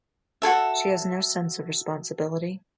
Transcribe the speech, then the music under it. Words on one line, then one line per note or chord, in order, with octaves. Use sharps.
She has no sense of responsibility.
F#4 G#4 A4 E5